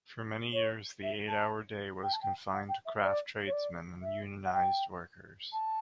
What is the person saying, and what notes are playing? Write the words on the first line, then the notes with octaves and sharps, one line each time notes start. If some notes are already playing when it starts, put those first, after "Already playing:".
For many years the eight-hour day was confined to craft tradesmen and unionised workers.
C#5
E5
A5
G5
A5
G5
F#5
G5
E5
D5
C#5
D5
E5
F#5
G5
A5